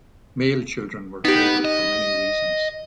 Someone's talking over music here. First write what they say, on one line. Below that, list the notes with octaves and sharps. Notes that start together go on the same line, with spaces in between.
Male children were favored for many reasons.
B3 D#4 G4
D#5